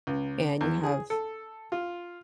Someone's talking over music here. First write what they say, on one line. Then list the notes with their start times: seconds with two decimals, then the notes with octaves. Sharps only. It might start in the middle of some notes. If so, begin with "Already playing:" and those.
and you have
0.07 C#2
0.61 E2
0.84 G#4
1.10 A4
1.72 F4